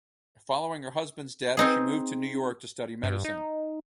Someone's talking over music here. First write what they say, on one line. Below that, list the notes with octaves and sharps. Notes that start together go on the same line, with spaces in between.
Following her husband's death she moved to New York to study medicine.
C4 D#4 G#4
G2
D#4